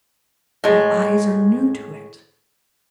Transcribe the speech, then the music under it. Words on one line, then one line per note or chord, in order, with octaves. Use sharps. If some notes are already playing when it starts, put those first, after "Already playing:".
Your eyes are new to it.
A2 G#3